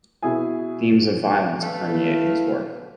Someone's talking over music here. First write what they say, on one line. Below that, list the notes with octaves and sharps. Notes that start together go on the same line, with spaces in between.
Themes of violence permeate his work.
B2 E4 G#4 G#5
A3 B4 F5
E4